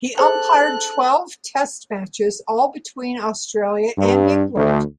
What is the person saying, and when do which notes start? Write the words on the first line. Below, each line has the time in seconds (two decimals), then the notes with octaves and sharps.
He umpired twelve Test matches, all between Australia and England.
0.17 G#4 A4 C5 G5 F#6
3.98 G2
4.56 D2